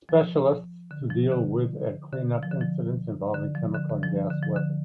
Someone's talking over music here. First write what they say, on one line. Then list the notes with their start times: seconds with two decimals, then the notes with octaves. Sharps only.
Specialists to deal with and clean up incidents involving chemical and gas weapons.
0.09 F3
0.91 D3
1.10 F3
1.32 D3
2.13 D3
2.43 F3
2.51 D3
2.61 F3
3.35 D3
3.55 F3
3.75 D3
3.89 D3
4.03 F3
4.30 D3
4.43 F3
4.56 D3